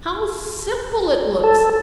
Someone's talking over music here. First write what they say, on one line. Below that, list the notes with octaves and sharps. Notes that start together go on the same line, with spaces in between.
How simple it looks!
A4